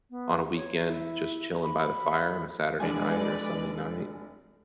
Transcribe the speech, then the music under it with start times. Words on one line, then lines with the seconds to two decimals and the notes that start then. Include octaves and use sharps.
on a weekend just chilling by the fire on a Saturday night, or Sunday night,
0.10 B3
0.56 C#5
0.86 E4
1.62 B5
2.80 F1 G#3 D4 B4 D5 G#5